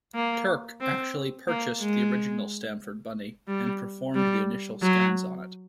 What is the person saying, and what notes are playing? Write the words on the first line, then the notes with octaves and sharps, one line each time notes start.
Turk actually purchased the original Stanford Bunny, and performed the initial scans on it.
A#3
C4
A#3
G#3
G3
G3
F#3